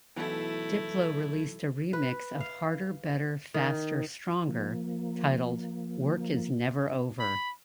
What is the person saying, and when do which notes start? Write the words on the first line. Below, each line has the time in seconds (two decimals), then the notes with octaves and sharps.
Diplo released a remix of "Harder, Better, Faster, Stronger" titled "Work Is Never Over".
0.16 B1 B2 E3 A3 E4
1.93 B4
2.41 F5
3.54 D#3
4.48 F3 A#3
7.20 B5